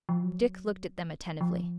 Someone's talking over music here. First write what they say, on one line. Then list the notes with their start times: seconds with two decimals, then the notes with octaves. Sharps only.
Dick looked at them attentively.
0.09 F3
0.23 F#3
1.41 F3